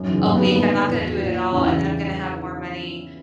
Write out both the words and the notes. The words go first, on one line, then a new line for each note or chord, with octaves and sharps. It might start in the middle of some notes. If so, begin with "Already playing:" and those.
a week, I'm not gonna do it at all, and then I'm gonna have more money,
Already playing: F#2
C#3 E3
F#2 A#3
B3
D3 A#3
G2 B3
D3
E2
B2
A#2
E2 C#4
E4
C#3 E3